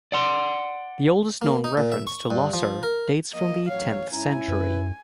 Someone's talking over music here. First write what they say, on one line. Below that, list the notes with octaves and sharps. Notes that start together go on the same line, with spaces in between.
The oldest known reference to Losser dates from the tenth century.
D5 F#5 C6
A#3
D#4
A#2
E5
C#6
G2
F3
A#4
F3 A#3 D#5
A1 F#3 C#5 F5
G#2 C#4 E4 G#5 A#5
F#2 B4